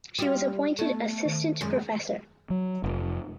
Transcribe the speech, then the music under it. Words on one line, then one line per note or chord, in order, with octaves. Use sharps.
She was appointed assistant professor.
G3 F4 F#4
A3 B3 A4
D#3
F#2 G#3
F#3
F1